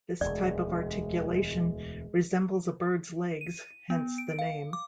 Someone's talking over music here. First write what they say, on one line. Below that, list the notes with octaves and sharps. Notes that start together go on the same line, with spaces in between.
This type of articulation resembles a bird's legs, hence the name.
E1 D2 G#3 D5
D#7
B3
D7
F5
D6